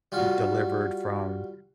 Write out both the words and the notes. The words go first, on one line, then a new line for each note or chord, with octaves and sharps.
delivered from,
G3 F4 F#4